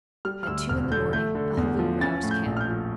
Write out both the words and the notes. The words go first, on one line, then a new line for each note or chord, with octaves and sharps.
At two in the morning a halloo roused camp.
G3 F6
F6
D2 E6
E1 F6
D3 G6
A3 G6
D3
E2
F3
C#4 A6
A2
G6
A#1
F6
G6
F3